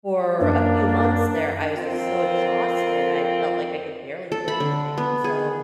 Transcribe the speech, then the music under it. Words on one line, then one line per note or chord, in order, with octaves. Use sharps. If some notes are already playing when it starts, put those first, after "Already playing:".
for a few months there, I was just so exhausted, I felt like I could barely do anything, so,
F#2 A#3 D4
F2 C4 F4 A#4
A4
B5
D3
B3
G#4